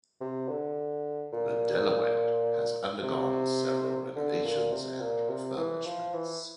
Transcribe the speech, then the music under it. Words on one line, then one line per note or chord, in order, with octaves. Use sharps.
The "Delaware" has undergone several renovations and refurbishments.
C3
D3
A#2
C3
D3
A#2
C3
A#2
C3
E3
F3
E3